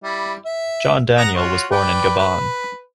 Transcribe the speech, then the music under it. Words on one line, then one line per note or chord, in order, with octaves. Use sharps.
John Daniel was born in Gabon.
G3 E4
E5
F#5 A#5 D#6
F4 F#4 C#5
B4 D5 G5
B4